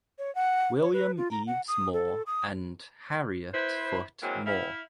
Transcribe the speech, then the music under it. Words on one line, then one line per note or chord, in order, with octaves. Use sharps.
William Eves Moore and Harriet Foot Moore.
C#5
F#5
C#5
B4
F4
A#5
F#5
D#6
A4
D#6
E4 B4 C5
E3 F#3 G#3 A#3 C4
E4 F5